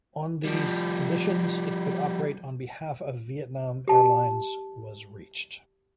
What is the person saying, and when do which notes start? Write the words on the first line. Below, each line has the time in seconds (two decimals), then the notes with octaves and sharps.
On these conditions, it could operate on behalf of Vietnam Airlines was reached.
0.45 F3 G3
3.88 G4 A5